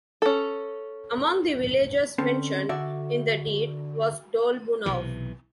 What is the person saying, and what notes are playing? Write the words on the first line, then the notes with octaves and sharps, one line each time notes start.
Among the villages mentioned in the deed was "Dolbunov".
C#4 A4
D3 C4 C#4 A4
D3 F#4 D5 E5
B1 C3 E3